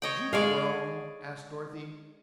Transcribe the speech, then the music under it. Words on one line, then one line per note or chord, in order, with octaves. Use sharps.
"Did you groan?" asked Dorothy.
C#5 D#5 G5
G#3 G#4 C#5 D5 F5